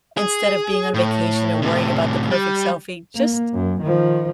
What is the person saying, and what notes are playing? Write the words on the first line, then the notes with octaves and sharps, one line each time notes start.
instead of being on vacation and worrying about the perfect selfie, just,
G#4
A2
A2 C3
G3
A#3
F#2
D#3 F3